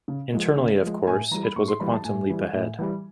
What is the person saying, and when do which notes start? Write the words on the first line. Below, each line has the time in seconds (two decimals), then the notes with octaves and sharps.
Internally of course, it was a quantum leap ahead.
0.08 C#3
0.33 F3 G#3
0.57 C#3
0.82 F3 G#3
1.07 A2 G#5
1.31 E3 G3 A#5
1.43 B5
1.56 A2 C#6
1.68 C6
1.80 E3 G3 B5
1.93 A5
2.05 A2 G#5
2.30 E3 G3
2.54 A2
2.79 E3 G3